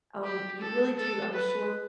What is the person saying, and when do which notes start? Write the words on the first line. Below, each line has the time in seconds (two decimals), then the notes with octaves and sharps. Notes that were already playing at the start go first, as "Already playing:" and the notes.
um, you really do, I'm sure,
0.24 G4
0.60 A4
0.97 A4
1.34 B4